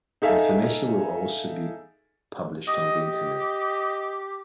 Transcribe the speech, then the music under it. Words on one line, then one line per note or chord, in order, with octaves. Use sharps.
Information will also be published on the internet.
D#4 G#4 A4 E5 F5 G#5
G4 D#5
D#5